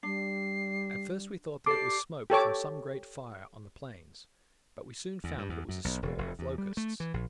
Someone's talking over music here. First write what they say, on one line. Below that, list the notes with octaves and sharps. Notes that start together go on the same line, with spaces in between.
At first we thought that it was smoke from some great fire on the plains; but we soon found that it was a swarm of locusts.
G3 D4 C7
G4 A4 C5 D5 D6 C7
G4 A4 C#5 D6
E2
G2
E2
F#2
B1
E1
F1
E2
G3
A3
E3
A#1